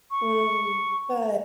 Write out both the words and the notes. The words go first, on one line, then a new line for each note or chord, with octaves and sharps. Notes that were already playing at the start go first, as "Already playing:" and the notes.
Mm. Good
C#6